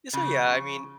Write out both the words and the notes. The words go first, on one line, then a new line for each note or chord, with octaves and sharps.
ye so, yeah, I mean,
C#3 F3